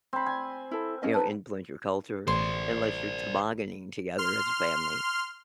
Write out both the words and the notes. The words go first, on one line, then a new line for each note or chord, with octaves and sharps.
you know, influence your culture, unless you're tobogganing together as a family,
C4 B5
G#5
E4 A4
C#4 D#5 F5
D#4 B4 A5
A1 C5 D5 C6
C6 F6